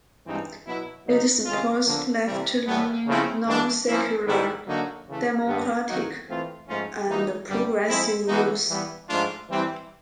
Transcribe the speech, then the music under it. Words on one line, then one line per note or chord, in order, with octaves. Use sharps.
It supports left-leaning non-secular democratic and progressive views.
G2 E3 G#3 C4 D#4
B2 F#3 B3 E4
C#3 F#3 A#3 D#4
C3 D#3 G#3 C#4 F4
D3 F3 A#3
C3 E3 G3
A2 E3 G3 B3
C#3 F3 A3 C4 E4
E3 G#3 B3 D4
F3 A#3 C#4 E4
G#2 D#3 G3 B3 E4
D3 F#3 A#3 D#4 F#4
C#3 E3 A3
G2 D#3 G3 B3
D#3 F#3 A#3 D#4 F#4
E3 A3 C4 F4
G#2 F3 A3 C#4 F4
E3 G3 A#3 D#4 F#4
F#2 D3 G3
F3 G#3 C4 E4
E3 G#3 B3 D#4 F#4
E3 G3 B3
G#2 F3 A3 D4 F4
E3 G3 C4 E4